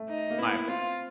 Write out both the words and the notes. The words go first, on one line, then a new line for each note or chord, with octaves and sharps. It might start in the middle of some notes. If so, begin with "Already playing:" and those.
That's just my opinion.
Already playing: A3
D#4
A#3
B3 E4
C4 F4